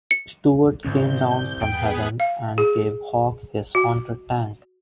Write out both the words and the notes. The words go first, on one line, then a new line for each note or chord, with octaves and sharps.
Stuart came down from Heaven and gave Hawk his Haunted Tank.
C#7
C2 G#2 D3 C#4 G6
E2 B3 G#4 B4 G5
F5
G#4
F#4